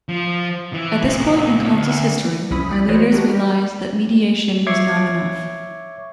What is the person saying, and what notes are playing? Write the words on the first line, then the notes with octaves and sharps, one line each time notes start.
At this point in Council's history our leaders realized that mediation was not enough.
F3
E3
C#2 A#2
D2
C2 F2 C#4 E4 B5 D#6
D5 B5
E3 F#4 C5 C#5 D#5
D4 F#4 G4 A#4 B4
G4
C#5 E5 C#6 D6 G#6 C7